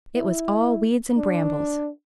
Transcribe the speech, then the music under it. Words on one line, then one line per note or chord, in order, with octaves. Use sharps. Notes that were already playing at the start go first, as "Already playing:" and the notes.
It was all weeds and brambles.
E4
D4